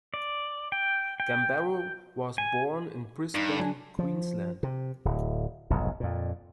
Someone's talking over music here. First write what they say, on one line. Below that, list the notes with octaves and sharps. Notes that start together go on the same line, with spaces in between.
Gambaro was born in Brisbane, Queensland.
D5
G5
G5
G#5
G2 D#4
F#3 D4 G#5
F3
C3
D1
F1 B1 G#2
F2 A#2